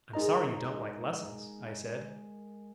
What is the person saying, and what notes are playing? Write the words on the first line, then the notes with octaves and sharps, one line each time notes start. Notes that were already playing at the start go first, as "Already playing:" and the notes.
"I'm sorry you don't like lessons," I said.
G#3 D#4 A#4 D#5 A#5